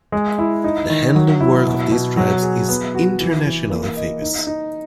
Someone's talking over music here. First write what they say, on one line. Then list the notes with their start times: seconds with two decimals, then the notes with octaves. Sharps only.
The hand-loom work of these tribes is internationally famous.
0.12 G#3
0.38 E4
0.64 D#4
0.90 D#3
1.15 F#3
1.41 E4
1.66 B2
1.91 B2
2.17 F#3
2.42 G#4
2.69 B3
2.95 F#4
3.20 E3
3.45 E3
3.70 A#3
3.96 D#5
4.22 D#4
4.47 D#4